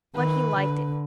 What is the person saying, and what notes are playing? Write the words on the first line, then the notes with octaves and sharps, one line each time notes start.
But he liked it.
D#3 B4
D3